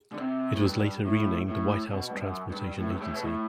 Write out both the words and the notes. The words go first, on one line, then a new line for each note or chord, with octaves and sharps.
It was later renamed the White House Transportation Agency.
D3
C3
A2
G2
A2
A2
B2
G2
F#2
G2
A2
G2
A2
B2
A2